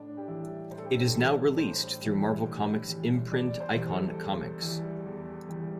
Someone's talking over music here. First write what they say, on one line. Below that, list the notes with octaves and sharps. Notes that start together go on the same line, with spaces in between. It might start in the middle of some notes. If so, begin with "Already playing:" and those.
It is now released through Marvel Comics' imprint Icon Comics.
Already playing: A2 D4
G4
E3 G3 E4
A2 C5
A4
G4
A4
C5
E3 G3
A4
A2 C5
E3 G3
A2
E3 G3
E2 D5
C5
E3 G3
A4
E2
E3 G3
E2
E3 G3